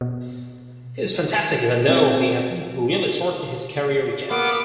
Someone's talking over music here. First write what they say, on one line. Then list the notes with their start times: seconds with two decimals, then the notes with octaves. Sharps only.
He's fantastic even though he hasn't really started his career yet.
0.01 B2
1.89 C4
4.30 A#3 B3 D6